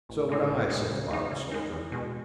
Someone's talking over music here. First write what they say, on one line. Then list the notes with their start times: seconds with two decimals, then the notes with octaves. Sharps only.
"So would I," said the loud soldier.
0.09 A1
0.29 A2 G#3 D#4
0.50 A1
0.70 A2 G#3 D#4
0.90 C#3
1.11 G#3 D#4
1.31 C#3
1.52 G#3 D#4
1.72 E2
1.92 B2 G#3